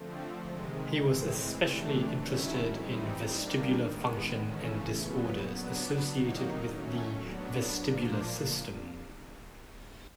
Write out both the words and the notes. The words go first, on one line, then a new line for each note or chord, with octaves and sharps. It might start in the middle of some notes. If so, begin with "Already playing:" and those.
He was especially interested in vestibular function and disorders associated with the vestibular system.
Already playing: D3 F3 A3 C4
C3 D#3 G#3
A2 E3 G#3 C4
C3 E3 A3 D4
D#3 F#3 A3 C#4 E4
E3 G3 C4 D#4
D#3 G3 A#3 D4
D#3 G#3 B3
C#3 E3 A3 C#4
A#2 F#3 B3
F#3 B3 D4
D#3 F#3 A#3 D#4
F#3 A3 C#4
F#3 B3 D4
A#2 F3 A#3 D4